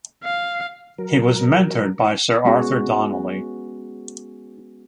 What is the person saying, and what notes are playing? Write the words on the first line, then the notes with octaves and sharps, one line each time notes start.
He was mentored by Sir Arthur Donnelly.
F5
F#3 A#4
G#3 B3 C#4 F#4 G#4